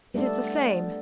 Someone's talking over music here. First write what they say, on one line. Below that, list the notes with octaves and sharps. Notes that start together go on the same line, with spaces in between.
"It is the same."
G3 A3 B3 D4 A4